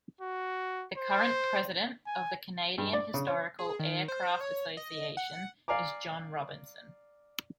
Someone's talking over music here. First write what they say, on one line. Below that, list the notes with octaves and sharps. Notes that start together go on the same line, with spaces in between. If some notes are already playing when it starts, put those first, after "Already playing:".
The current President of the Canadian Historical Aircraft Association is John Robinson.
F#4
C5
G#5
G2
D5
C#3
C#5
G#4
D#3
C5
C#5
D#5
F#5
D5 F5 G#5 A#5 D6